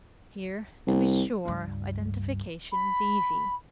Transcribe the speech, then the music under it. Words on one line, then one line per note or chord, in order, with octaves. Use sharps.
Here, to be sure, identification is easy.
C2
C#2 G2
B5